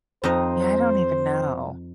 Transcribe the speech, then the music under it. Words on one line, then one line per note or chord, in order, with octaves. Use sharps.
Yeah, I don't even know.
F2 D#4 C5 D#5